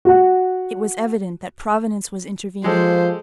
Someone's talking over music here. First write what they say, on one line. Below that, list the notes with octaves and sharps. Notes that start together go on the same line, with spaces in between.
It was evident that Providence was intervening.
F#4 F#5
F3 G#3 G4 A4 C5